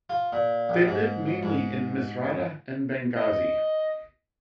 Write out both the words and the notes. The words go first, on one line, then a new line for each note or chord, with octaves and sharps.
They live mainly in Misrata and Benghazi.
F4
A#2
A#1
G#2
G#2
D#5